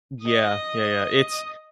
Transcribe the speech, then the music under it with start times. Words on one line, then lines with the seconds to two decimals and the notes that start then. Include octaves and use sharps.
Yeah. Yeah, yeah. It's
0.22 D#5 D#6